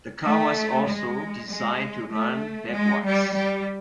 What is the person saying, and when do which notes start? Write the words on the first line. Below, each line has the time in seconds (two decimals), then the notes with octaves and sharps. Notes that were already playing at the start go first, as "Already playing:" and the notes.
The car was also designed to run backwards.
0.24 A3
0.87 G#3
1.48 G#3
2.10 A3
2.73 G#3
3.04 G3
3.35 G3